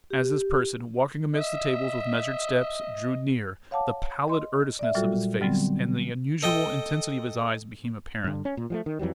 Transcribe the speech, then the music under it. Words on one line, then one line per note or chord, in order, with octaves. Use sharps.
As this person, walking amidst the tables with measured steps, drew near, the pallid earnestness of his face and the unusual intensity of his eyes became apparent.
G4
D#5 E5
C#5 F5 F#5 A5 D6
D#5 C6
D5 E5
A#2 F#3 G3 F4 F#4 A4
D3 F#3 G3 B3 C4
A4 D#5 G5
G2 D3
C#4
A#2
F3 G3 A3
D#3
F2 E3 F#3 G3